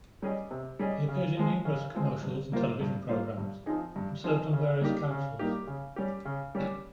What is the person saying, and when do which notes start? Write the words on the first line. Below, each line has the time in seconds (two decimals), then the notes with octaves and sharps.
He appeared in numerous commercials and television programs and served on various councils.
0.22 G3 C#4 G#4 D#5
0.51 C3
0.79 G3 C#4 G#4 D#5
1.08 C#3
1.37 F3 G#3 C4
1.65 C#3
1.95 F3 G#3 C4
2.22 G2
2.52 G3 A#3 F4 C5
2.81 G2
3.09 G3 A#3 F4 C5
3.38 G2
3.66 F3 C4 D#4 G#4
3.96 G2
4.24 F3 C4 D#4 G#4
4.53 C#3
4.81 G3 A#3 D#4 G4
5.11 C#3
5.39 G3 A#3 D#4 G4
5.67 C#3
5.96 G3 C#4 G4
6.25 C#3
6.55 G3 C#4 G4